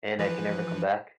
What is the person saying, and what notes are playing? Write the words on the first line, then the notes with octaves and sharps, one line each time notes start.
And I can never come back?
E3 F3 B4